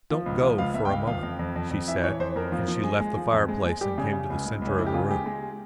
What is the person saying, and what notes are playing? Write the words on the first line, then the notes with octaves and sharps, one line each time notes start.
"Don't go for a moment," she said, and she left the fireplace and came to the centre of the room.
F3
C#2
F3
C#2 F5
C#2 E5
G5
C#2 F5
F3 F5
F2
F2
F2
F2
E3 E5
E3 C#5
F2 C5
F2 A#4
F3
F3
G#3
G#3
F3
F2
G#3
G#3
G3 G4
C#3
C#3
C#2
C#2
C#2
C#4
C#2 E4
G4
C#3 F4
G#3 G4
G#3